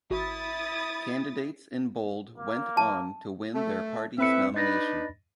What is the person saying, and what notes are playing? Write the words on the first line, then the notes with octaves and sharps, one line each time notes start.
Candidates in bold went on to win their party's nomination.
G#1 E4 F#4 D#6 A6
A#3
A5
A3
A2 C4 B4 E5 C#7
D4 D#4 B4 D#5 A6 A#6